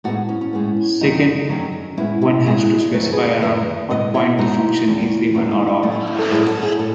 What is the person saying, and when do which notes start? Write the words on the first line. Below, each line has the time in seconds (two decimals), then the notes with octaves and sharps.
Second, one has to specify around "what point" the function is even or odd.
0.04 A2 G#3 B3 D#4 F#4
0.29 C#4
0.41 C#4
0.53 A2 G#3 B3
1.01 F#2 D#3 F#3 A3 D#4
1.49 F#2 D#3 F#3 A3
1.97 A2 G#3 B3 C#4 E4
2.22 C#4 E4
2.46 A2 G#3 B3 E4 G#4
2.94 F#2 D#3 A3 B4
3.03 C#5
3.12 G#4 B4
3.42 F#2 D#3 A3 B4 D#5
3.90 A2 G#3 B3 B4 D#5
4.14 C#5 E5
4.38 A2 G#3 B3 D#4 F#4
4.87 E2 D#3 G#3 B3
5.34 E2 D#3 G#3 B3 C#4
5.51 D#4
5.67 D#4
5.82 A2 F#3 A3 C#4 E4
6.07 C#4 E4
6.19 A4
6.31 A2 F#3 A3 E4 G#4
6.47 F#4 A4
6.63 E4 G#4
6.79 A2 A4 C#5